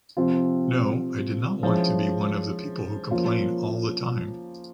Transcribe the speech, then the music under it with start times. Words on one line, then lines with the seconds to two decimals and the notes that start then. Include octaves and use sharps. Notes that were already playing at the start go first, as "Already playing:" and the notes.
No, I did not want to be one of the people who complain all the time.
0.17 C3 F3 C4 F4
1.63 F3 G#3 C#4 E4
3.11 F3 A#3 C#4 F4